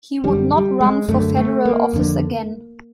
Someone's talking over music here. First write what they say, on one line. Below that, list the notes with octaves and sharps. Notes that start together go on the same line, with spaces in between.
He would not run for federal office again.
F#2 D3 G3
G3
G#3
F#2 D3 A3
A3
A#3
F2 D3